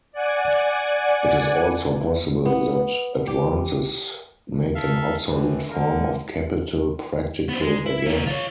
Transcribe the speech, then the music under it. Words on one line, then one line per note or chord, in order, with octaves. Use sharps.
It is also possible that advances make an obsolete form of capital practical again.
D5 F#5 G#5
B3
G4
A4 E5 F5
F#2 A2 E3
D3 A#4
B3 C4
G#3
E4
A#3 C#4
F4 C#5